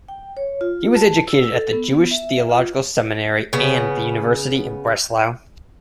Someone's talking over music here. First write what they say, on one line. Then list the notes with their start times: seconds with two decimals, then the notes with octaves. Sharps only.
He was educated at the Jewish Theological Seminary and the University in Breslau.
0.08 G5
0.37 C#5
0.61 F4
0.95 A5
1.27 E6
1.52 A4
1.73 B3
2.11 E5
2.50 F4
3.53 C#3 B3